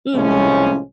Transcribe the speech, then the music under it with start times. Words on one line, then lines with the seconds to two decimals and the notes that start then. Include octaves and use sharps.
Mhm. M
0.14 C2 A2 F3 G#3 C#4